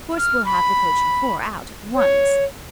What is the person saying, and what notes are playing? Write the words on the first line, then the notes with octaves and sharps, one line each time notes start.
Of course we'll have the coach-and-four out, at once.
F6
B5
C#5